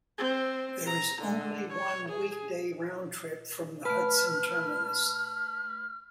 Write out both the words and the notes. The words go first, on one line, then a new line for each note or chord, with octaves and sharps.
There is only one weekday round trip from the Hudson terminus.
C4
A#5
D3
C#5
G#4
A3 B4 A5 F6